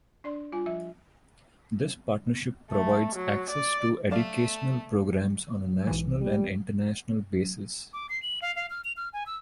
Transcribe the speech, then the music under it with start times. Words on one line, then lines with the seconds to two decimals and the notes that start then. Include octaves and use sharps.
This partnership provides access to educational programs on a national and international basis.
0.24 D4 D5 C6
0.52 G3 F4 G#5
0.66 F3 E5
2.71 A3
3.16 F#3
3.50 D5
4.11 A3 A4 D5 F5
5.87 B1 G#2 E3
6.19 G3
7.93 D6
8.09 C7
8.23 F#7
8.42 F5
8.56 F5
8.70 F6
8.85 F7
8.97 F6
9.13 G#5
9.26 E6